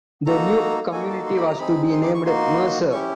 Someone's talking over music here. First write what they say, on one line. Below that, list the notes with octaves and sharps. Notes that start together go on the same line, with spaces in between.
The new community was to be named Mercer.
A#3 D#4 F#4 A4 A#5
A#3 D#4 F#4 A4 G#5
A5
C6
B5
A#5
C4 D#4 G#4 B5
C6
D6
C#6
A#3 D#4 F#4 C6
C#4 E4 G4 C#6